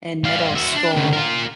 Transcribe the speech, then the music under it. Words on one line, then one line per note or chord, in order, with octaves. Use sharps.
in middle school.
G3 F5
F#4 E5
D4
D2 C#3
F4 A#4